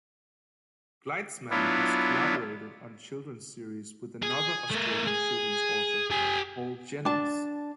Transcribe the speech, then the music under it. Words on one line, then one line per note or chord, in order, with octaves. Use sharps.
Gleitzman has collaborated on children's series with another Australian children's author, Paul Jennings.
F#3 B3 D4 E4 F4
G#4
A3 A#4
G#4
G4 G#5
D4 A5